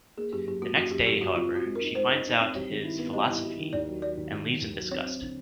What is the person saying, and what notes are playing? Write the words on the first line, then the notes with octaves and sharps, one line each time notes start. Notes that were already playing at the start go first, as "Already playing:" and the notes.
The next day, however, she finds out about his "philosophy", and leaves in disgust.
A#3 G#4
F#2 G4
F#2 G4
A#3 F#4
F#2 F#4
F#2 G4
C#3 G4
F#2 F#4
C4 F4
C4 F#4
G#3
D#4 A#4
G#3 C5
D#4
D#4
C4
G3 C#5
D#3
E4
B3
G3 D#5
E4
G3
D#3
D#2 D5
F#3
F#3 D5
D#2
D#2
D#3
D#2
F#3
C4 C#5
C4
D3